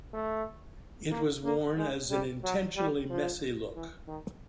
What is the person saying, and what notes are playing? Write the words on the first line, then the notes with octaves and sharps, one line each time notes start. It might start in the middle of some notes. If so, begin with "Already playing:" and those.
It was worn as an "intentionally messy" look.
A3
A#3
A#3
G#3
G3
F#3
G3
F3
E3
D#3